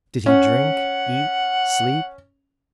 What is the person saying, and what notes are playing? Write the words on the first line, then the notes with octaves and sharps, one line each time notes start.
Did he drink, eat, sleep?
C#4 F#5